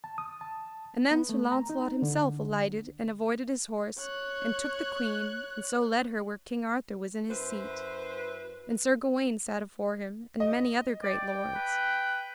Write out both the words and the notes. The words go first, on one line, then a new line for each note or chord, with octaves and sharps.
And then Sir Launcelot himself alighted and avoided his horse, and took the queen, and so led her where King Arthur was in his seat: and Sir Gawaine sat afore him, and many other great lords.
A5
D#6
A5
B3
A3
A#5
D#4
D3
C#5 F#6
F#2 E4 B4 C5
D#5
D5 G5
B4